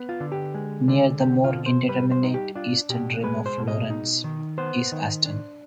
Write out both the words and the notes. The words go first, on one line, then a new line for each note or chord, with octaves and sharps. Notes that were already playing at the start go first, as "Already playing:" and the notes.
Near the more indeterminate eastern rim of Lorentz is Aston.
Already playing: B3
F4
D3
G4
G#3
D3
C4 G4
F4
B2
C5
G3 B4
C5
D#4
G4
D4 F4
B2 G4
G#3 B4
C5
B2
D#5
D#4
D#3
B3 C5
D#3
D4